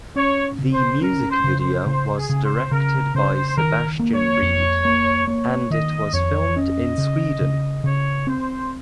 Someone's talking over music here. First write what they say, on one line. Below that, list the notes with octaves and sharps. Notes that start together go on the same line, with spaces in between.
The music video was directed by Sebastian Reed, and it was filmed in Sweden.
C#4 C#5
C#3
C5
C#4 A#4
C5
C#3
C5
C#3 C5
G#4
C#3
C5
C#3 A#4
C#3 C5
D#3 A#4
A#3
C#5
F2
A#3
A#3 C#5
D#3 D#5
F2 C#5
C#4 D#5
C#3
C#3
C#3 C#5
C4 C5